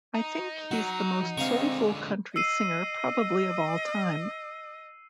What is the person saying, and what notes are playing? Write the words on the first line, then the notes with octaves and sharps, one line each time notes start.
I think he's the most soulful country singer probably of all time.
D#4
F#3 F#4
D3 G#3 C4 F5 A#5 C#6
D#5 E6 C7 D#7